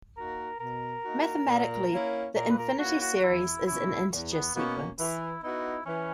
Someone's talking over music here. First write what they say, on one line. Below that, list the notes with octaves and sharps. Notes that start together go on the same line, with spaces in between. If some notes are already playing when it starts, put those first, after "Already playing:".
Mathematically, the infinity series is an integer sequence.
A#3 D#4 F#4 A#4
B2 A#4
A#3 D#4 F#4
A#2
A#3 C#4 E4
A#2 A#4
B4
A#4
A#3 C#4 E4 F#4
F#4
F#4
E2 E4
B2 A#3 C#4 E4
E2
B3
B2 A#3 B3 C#4
E3 E4
B3 D#4 E4 F#4
E3 C#4